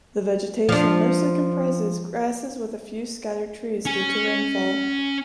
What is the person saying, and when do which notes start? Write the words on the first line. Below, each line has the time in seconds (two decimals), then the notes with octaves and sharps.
The vegetation mostly comprises grasses with a few scattered trees due to the rainfall.
0.69 F3 D4
3.86 C#4 G#5